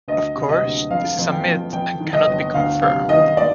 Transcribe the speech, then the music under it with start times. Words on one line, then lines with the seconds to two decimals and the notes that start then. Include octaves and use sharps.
Of course, this is a myth and cannot be confirmed.
0.08 D2 D#5
0.36 C3
0.49 D#5
0.63 D2
0.90 F2 F5
1.18 F2
1.32 G5
1.45 F2
1.73 F2 G5
2.00 D#3
2.13 D#5
2.27 G1
2.54 D2 F5
2.81 C3 F5
3.09 D#3 D#5
3.37 D5